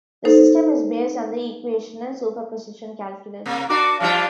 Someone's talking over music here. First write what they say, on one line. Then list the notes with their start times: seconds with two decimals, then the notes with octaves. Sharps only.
The system is based on the equational superposition calculus.
0.25 D#4 A4 C5
3.46 C3 A#3
3.70 D4 F#4 A#4 D6
4.00 F3 G3 D4 F4 F5